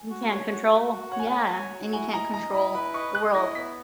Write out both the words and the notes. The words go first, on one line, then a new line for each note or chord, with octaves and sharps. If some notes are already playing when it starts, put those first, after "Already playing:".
You can't control? Yeah, and you can't control the world.
Already playing: G#5
F#4
C#5
F#4
F#4
F#4
C#5 F#5
G#5
F#5
G#5
C#5
F#4
E4 G#5
D#5 A#5
D#5 A#5
E4 B5
B4 B5
D#5 C#6
D#5 F#6
E4 A#6
B3 B6